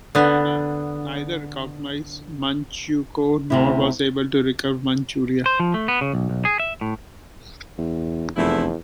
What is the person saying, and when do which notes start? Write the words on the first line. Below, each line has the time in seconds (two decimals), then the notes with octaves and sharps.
China neither recognized Manchukuo nor was able to recover Manchuria.
0.15 D3 B3
3.50 D2 C3 E4
5.46 C5
5.60 F3
5.74 A3
5.88 B3
6.01 C#3
6.13 B1
6.30 B1
6.45 G#4
6.60 E5
6.81 A2
7.78 E2
8.36 F1 E2 F3 A3 E4